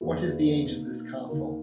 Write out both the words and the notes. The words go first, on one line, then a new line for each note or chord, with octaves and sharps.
What is the age of this castle?
E2 D#3 A#3 E4 G#4
B2 A#3 D#4
D#2 D#3 A#3 D#4 A#4